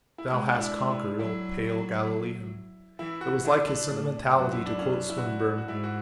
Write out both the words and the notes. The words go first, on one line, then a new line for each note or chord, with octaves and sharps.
"Thou hast conquered, O pale Galilean." It was like his sentimentality to quote Swinburne.
E4
G#3 F#4
D4
E4
G#3
E4
F#3 E4
E3 E4
F#4
D3 E4
D4
A2 D4
F#2 F#4
E4
D4
C#4
E4
F#4
E4
F#4
F#4
G#2 E4
F#4